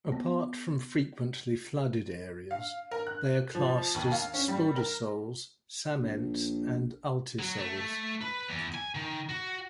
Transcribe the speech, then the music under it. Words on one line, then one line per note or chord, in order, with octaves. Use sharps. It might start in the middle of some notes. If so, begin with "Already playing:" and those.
Apart from frequently flooded areas, they are classed as Spodosols, Psamments and Ultisols.
B3
F5
A#4
F#6
F3
D#2
F5
C#4
G3
A#4
A#1
F#3
A3
A3
B4
E2
G#5
D#3
F#4